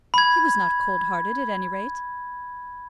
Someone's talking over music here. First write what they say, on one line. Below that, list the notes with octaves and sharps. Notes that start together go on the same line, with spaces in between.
He was not cold-hearted, at any rate.
B5 G#6